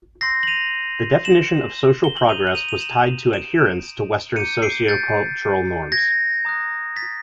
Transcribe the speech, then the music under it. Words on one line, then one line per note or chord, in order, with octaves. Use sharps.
The definition of social progress was tied to adherence to Western socio-cultural norms.
C6 E6 G6 A#6 C7
F#7
D#7 F7
E7 F#7
G7
F#7
A#5 D#6 G6 D#7 F7
F#7
D#7 F7
D#7 F7
E7 F#7
D7 E7
A#5 D6 G6 C#7 D#7
C7 D7
G6 A6
G#6 A#6
A#5 D#6 F#6
A6 B6